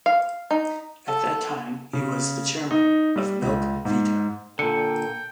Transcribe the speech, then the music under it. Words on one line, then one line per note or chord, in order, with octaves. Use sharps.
At that time he was the chairman of Milk Vita.
F5
D#4
A4
C#3
D#4
G3
C#2
G#2
A#2 D3 A4 G5 C#7